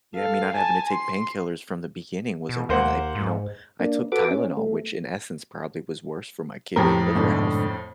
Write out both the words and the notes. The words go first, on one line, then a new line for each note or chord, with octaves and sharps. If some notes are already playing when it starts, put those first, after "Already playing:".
yeah, me not having to take painkillers from the beginning was a win. I, you know I took Tylenol, which in essence probably was worse for my kidney and liver health.
A4 F5
G#5 A5
C6
B2
D#2 A#3 C5 F#5
G#2
A#3 D4
F#4 A4 B4 D6
C#4
A3
F2 A2 G4 A#4
G#2 B2 D3